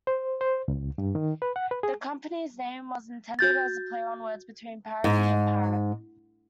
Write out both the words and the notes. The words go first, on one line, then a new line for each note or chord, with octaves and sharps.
The company's name was intended as a play-on-words between "parody" and "parrot".
C5
C5
C#2
G2
D#3
B4
F#5
B4
G#4
F#4 G6 A6
G#2